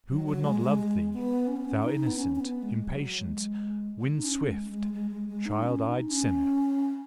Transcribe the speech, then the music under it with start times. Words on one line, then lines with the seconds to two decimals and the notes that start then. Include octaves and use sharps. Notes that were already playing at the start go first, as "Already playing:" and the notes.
Who would not love thee, thou innocent, impatient, wind-swift, child-eyed sinner!
0.09 F#3
0.26 F#3
0.44 G#3
0.61 G#3
0.78 G#3
1.13 B3
1.47 C#4
1.57 B3
1.65 C#4
1.83 D#4
2.07 B3
2.17 C#4
2.35 C#4
2.40 B3
2.62 G#3
2.86 F#3
3.21 G#3
4.14 D#4
4.24 C#4
4.47 G#3
4.70 G#3
4.94 G#3
5.11 G#3
5.28 G#3
5.46 D#4
5.62 C#4
5.86 D#4
6.09 C#4